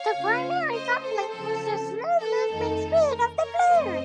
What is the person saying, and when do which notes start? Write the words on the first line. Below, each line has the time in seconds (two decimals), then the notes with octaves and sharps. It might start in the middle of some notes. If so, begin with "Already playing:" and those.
The primary complaint was the slow movement speed of the players.
Already playing: C#5 F5
0.13 C#3 A3 C#4 F4
0.72 C5 D#5
1.02 A4 C5
1.31 C#3 F3 C4 A4
2.20 A4
2.50 F2 D#3 A3 D#4 A4
3.09 A#4
3.38 A#4 C#5
3.68 F#2 C#3 A3 C4 C5 D#5